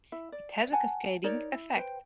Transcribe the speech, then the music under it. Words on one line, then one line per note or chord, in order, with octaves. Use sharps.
It has a cascading effect.
E4 E5
D5
F#5 G#5 A5
D#4 A#4 C#5 D5
E4
B4 C5 G5